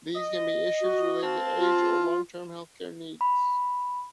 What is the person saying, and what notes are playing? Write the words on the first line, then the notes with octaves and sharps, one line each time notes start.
These can be issues relating to age or long-term health-care needs.
D#5
F#4
C4 F5 A5
F4
B5